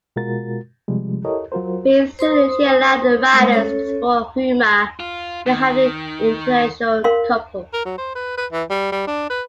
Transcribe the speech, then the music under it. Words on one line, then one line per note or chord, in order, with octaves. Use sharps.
Being Zulu, she allowed the writers to explore humour in having an interracial couple.
B2 G#3 F4 F#4 A#4 A6
C3 F3 G3 G#3
E4 G4 A4 A#4 C#5 D#5
F#3 F4 F#4 A#4 C5
C5 C6 D#6
G#3 A3 A#4 C5 D#6
C#4 A4 C#5
F4
D#3
A#4 F5 C6
A#4
F#3
C5
B4
B4
E3
G3
G3
D4
B4